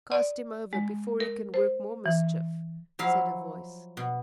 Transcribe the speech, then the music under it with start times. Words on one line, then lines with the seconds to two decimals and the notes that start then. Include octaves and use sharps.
"Cast him over before he can work more mischief," said a voice.
0.12 D5
0.73 G#3
1.20 A#4
1.54 C5
2.06 E3
2.99 F3 F#3 E4 F5
3.97 B2